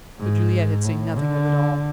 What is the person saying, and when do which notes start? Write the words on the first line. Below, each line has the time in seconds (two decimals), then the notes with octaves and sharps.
But Juliette had seen nothing of it all.
0.19 G#2
0.85 A2
1.18 D3